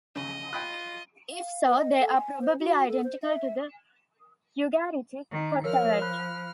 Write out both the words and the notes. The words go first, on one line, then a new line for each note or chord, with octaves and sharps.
If so, they are probably identical to the Ugaritic Kotharat.
C#3 D#5
F4 G5 B5 F#6
F5
B4
D#5
A4
G#5
C5
F#4
A4
C5
E5
D#3
F3 A#4 C#5 E6 F6
B5 F#6